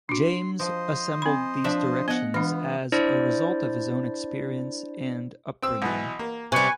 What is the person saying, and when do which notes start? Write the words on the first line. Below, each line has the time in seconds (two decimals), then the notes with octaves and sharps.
James assembled these directions as a result of his own experience and upbringing.
0.09 D4 F#4 C6
0.60 F3 C5 D#5
1.22 C4 B5
1.64 F3 D4 E5
2.08 B3 D#5 F#5
2.34 E3 G#3 B3 D4 F4
2.92 D4 E4 C5 D5
5.62 C4 E6
5.82 B1 B2 E3
6.19 A#3
6.52 C3 G3 B4 G#5 C#6